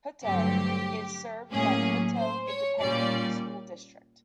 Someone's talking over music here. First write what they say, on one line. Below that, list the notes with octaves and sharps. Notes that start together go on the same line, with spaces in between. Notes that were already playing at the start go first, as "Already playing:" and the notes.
Hutto is served by the Hutto Independent School District.
G2 D3 F#3 A3 C4 G4
A2 F#3 A#3 C#4 G#4
C5
C#5
A#2 G3 A#3 C#4 D5